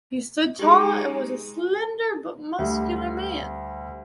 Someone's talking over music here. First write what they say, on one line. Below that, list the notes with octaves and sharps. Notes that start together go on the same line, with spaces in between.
He stood tall and was a slender but muscular man.
G#3 D#4 G4 G#4
D2 G3